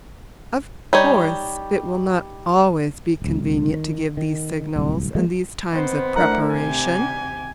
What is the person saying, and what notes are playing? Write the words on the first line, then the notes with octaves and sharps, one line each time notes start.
Of course, it will not always be convenient to give these signals and these times of preparation.
G3 D#4 C#5
D1 C#2
D#3
D#3
D1 C2
F3 G#3 A#3 B3
D#3 B3 C4 C5
A3 D4 E4 A#4 F#5 A#5
C3 G4 G#5